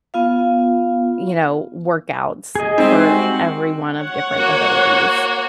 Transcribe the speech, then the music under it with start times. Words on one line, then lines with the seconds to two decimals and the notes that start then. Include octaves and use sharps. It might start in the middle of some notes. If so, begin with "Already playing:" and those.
you know, workouts for everyone of different abilities.
0.14 B3 F4 F5
2.55 G#4 D#5
2.78 G3 G#3 C4 D#4
3.03 F#4
3.98 C#5 F#5
4.36 A#3 F#4